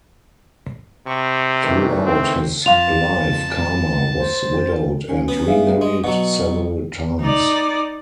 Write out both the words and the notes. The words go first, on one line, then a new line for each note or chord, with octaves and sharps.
Throughout his life Khama was widowed and remarried several times.
C3 C#6
D#3 E3 A3
C4
F2 F4 F5 A5 F7
C5
C#4
B3
G#4 E5 F5
G#3
B2 F#3 F#5
D#4 D5